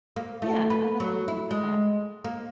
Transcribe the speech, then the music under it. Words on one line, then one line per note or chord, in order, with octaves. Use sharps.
Yeah. I like the way you put that.
A#3
A3
B4
F#3
E4
G#3
A#3